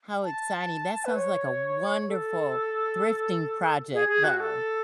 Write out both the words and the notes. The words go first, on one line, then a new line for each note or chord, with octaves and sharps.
how exciting. That sounds like a wonderful thrifting project though,
A5
B4
C#5
A4
G#4
G#4
F#4
A4